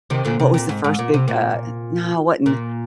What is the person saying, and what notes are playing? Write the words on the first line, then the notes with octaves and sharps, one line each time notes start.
what was the first big, uh no, it wasn't
C3 D#3
A#2 D3
C3
A#2
G#2
G#2
A#2
C3
A#2
A#2